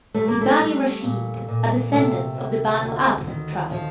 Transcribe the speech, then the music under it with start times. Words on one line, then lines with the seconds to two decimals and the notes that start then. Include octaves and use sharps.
The Bani Rasheed are descendants of the Banu Abs tribe.
0.14 G3 A3
0.28 A#3
0.41 A3
0.60 G3
1.03 A#2
1.48 A#2
1.92 C3 A3
2.38 D2
2.82 D2
3.27 D#3
3.71 F3